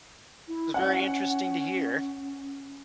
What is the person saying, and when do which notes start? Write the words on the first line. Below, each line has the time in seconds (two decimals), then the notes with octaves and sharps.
it was very interesting to hear.
0.48 E4
0.74 C#4 F#5